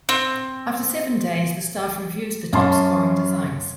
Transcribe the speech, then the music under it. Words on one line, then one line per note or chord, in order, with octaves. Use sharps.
After seven days the staff reviews the top-scoring designs.
C4
F#2 C#4 A5 C6